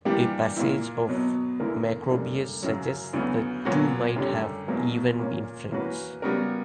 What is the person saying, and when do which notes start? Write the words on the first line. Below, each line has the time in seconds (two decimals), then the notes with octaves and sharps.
A passage of Macrobius suggests the two might have even been friends.
0.05 E3 G3 A#3 D4 G4
0.57 A#2 A#3 E4
1.08 B2 F#3 B3
1.60 E2 D3 A#3 E4 A#4
2.11 F#2 D3 G3 A#3
2.63 F#2 C#3 F#3
3.13 D2 C#3 F#3 B3
3.65 A#2 F#3 B3 F#4
4.16 F#2 D3 G3 C#4 G4
4.68 E2 B2 F#3 A#3
5.20 A#2 A#3 C#4
5.71 E3 A#3 C#4 F#4 B4
6.22 C#3 G3 B3 F#4 A#4